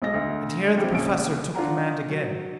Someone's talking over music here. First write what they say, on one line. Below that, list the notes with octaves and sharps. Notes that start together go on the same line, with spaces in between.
And here the Professor took command again.
B1 G#3 D#5 A#6
D2
F#3 G3 C4
E1 A#1 C#3 C#4 D7
D4 F4 D5 F#5 A#5
F#3